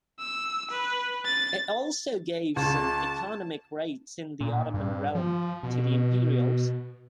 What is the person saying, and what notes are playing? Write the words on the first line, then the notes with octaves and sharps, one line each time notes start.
It also gave some economic rights in the Ottoman realm to the Imperials.
E6
B4
A6
C#2 A5
A#2
G2
F3
B2